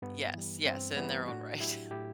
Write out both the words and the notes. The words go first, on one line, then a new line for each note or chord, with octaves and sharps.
Yes, yes, in their own right.
G2 B3
E3 G3
G2 C4
E3 G3 B3
A2 D4 F#4
F#3 E4 G4
A2 E4 G4